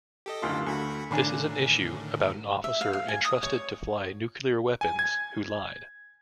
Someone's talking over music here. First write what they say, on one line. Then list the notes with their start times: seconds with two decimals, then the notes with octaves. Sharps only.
This is an issue about an officer, entrusted to fly nuclear weapons, who lied.
0.26 G4 A4 D#5
0.42 F#1 D2 F4
0.67 D2 F#4 B5 C#6
1.11 A2 D3 D#3 A#3 D4 G#5
2.64 E5
2.81 F5
2.93 F5
3.08 G#5
3.25 D#6
3.43 C#5
4.81 G#5
4.99 G#6